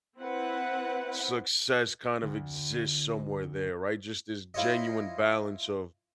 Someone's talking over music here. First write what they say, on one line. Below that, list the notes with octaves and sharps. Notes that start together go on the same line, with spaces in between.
Success kind of exists somewhere there, right, just this genuine balance of
C4 E4 B4 F#5
D2
E4 F4 C5 C#5 D#5